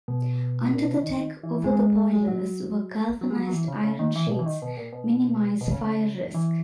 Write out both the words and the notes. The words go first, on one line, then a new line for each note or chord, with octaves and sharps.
Under the deck over the boilers were galvanised iron sheets minimise fire risk.
B2
A#2
B2
C#3
D#3
D#3
E3
E3
G#3
G#3
F#3
F#3
G#3
F#3
F#3
E3
C#3
C#3
D#3
E3
A#2
B2
E3
D#3
B2
A#2
B2
B2
C#3
E3